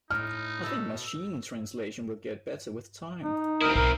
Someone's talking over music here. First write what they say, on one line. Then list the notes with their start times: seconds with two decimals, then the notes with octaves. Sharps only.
I think Machine Translation will get better with time.
0.10 A2 D#4 F6
0.63 B2 A4
3.24 D#4
3.61 D2 C4 E4 A#4 D#6
3.75 B1 A#4